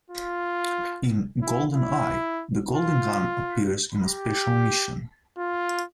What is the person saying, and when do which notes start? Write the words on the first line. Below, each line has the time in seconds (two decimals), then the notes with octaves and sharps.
In "GoldenEye", the Golden Gun appears in a special mission.
0.10 F4
1.42 E4
1.75 E4
2.74 F4
4.06 G4
5.38 F4